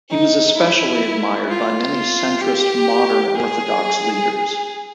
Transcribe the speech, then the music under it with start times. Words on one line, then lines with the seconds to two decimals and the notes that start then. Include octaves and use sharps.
He was especially admired by many centrist Modern Orthodox leaders.
0.10 D#4
0.57 E4
1.49 F4
2.41 G4
3.35 G#4